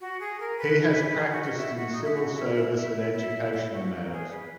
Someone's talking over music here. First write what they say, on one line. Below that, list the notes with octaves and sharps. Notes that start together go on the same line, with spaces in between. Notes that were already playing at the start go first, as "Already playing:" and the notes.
He has practiced in civil service and educational matters.
F#4
G#4
A#4
B4
G#4
F#4
F#4
E4
F#4
D#4
E4
F#4
E4
E4
E4
E4
E4
F#4
E4
F#4
A#4
G#4
B4